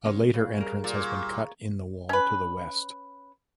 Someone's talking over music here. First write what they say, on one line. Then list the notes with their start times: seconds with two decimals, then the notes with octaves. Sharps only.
A later entrance has been cut in the wall to the west.
0.05 C#2 G#3 C#4
0.34 A#2 C#3
0.57 G3 A#4
0.84 A#2 D5
1.01 C#5
2.09 C#4 B4